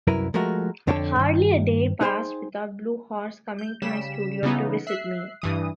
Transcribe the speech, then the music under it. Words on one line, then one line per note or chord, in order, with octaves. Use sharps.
Hardly a day passed without Blue Horse coming to my studio to visit me.
C2 F#2 F#3 E4 A#4 B4
F3 G#3 A3 F#4 A#4
F2 D3 C#5 G5 A5
G2 D#3
D#4 G#4 C5 F#5 G5 C6
G6
C#3 G3 B6 E7
C#3 E3 B3 D#4
E5 F#6 C7
G2 E3 D#6